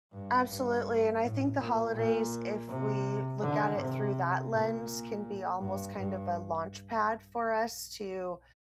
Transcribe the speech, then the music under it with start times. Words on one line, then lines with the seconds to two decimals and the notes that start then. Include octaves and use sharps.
Absolutely, and I think the holidays, if we look at it through that lens, can be almost kind of a launchpad for us to
0.12 G2
0.48 G2
1.22 A2
1.58 A#2
1.95 A#2
2.68 C3
3.41 D3
3.77 C3
4.50 A#2
5.59 G2
5.96 G2